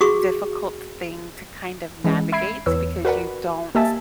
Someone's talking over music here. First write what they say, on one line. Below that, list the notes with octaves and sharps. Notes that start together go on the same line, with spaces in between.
difficult thing to kind of navigate, because you don't
F#4 G#4 C#6
E3 G#3 C#4
E5 B5 G#6 C7 D7
E2 B4 C#5 E6
F#4 A#4 B4 D5 F#5
A#3 G4 D#5 E5 G#5 A5